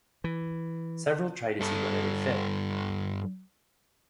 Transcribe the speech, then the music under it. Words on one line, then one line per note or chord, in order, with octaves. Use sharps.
Several tried to see whether they fit.
E3
G2 A4